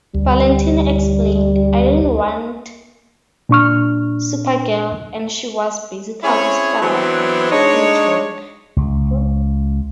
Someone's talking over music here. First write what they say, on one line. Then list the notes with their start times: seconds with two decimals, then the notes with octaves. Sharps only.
Valentino explained, I didn't want Supergirl - and she was, basically, Starhawk in drag.
0.15 D2 G3
3.49 A#2 D4 C#6 F6
6.23 C4 C#4 E4 G#4 C#5
6.81 E3 F#3 B3 C4 D4 E4
7.51 G#3 D4 D#4 C#5
8.77 C#2